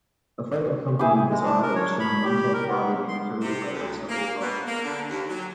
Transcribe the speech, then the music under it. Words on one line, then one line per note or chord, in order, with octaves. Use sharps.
A photo accompanied this article, showing Montag's body being carried away by several brothers.
E4 G#4 E5 G5 D6
G#3
D4
A#4
C#5
B5
G4
A#4
B3
C#3
C6
C3
D2
A#3
B2
A#3
D3
D#2
F#3